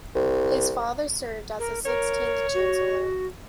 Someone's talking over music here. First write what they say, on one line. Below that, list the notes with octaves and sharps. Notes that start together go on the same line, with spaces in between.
His father served as the sixteenth Chancellor.
C2
A#4
A#4 C#5
F#4